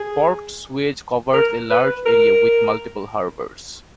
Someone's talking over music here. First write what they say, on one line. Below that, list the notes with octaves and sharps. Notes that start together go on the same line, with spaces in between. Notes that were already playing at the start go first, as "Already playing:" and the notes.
Port Suez covers a larger area with multiple harbours.
Already playing: G#4
A#4
B4
A#4